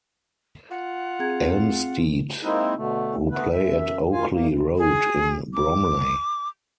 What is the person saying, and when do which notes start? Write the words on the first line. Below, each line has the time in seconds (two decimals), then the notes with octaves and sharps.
Elmstead, who play at Oakley Road in Bromley.
0.71 F4 F#5
1.19 C4 G#4 A#5 G#6
2.43 G#3 A#3 C4 D#4 E4
2.76 B2 D3 A3
3.31 A3 B3 B4
3.52 F#2 E5
4.12 D2 D#3 F4 F5 G#5
4.32 E2 A#3
4.78 G#4
5.54 D6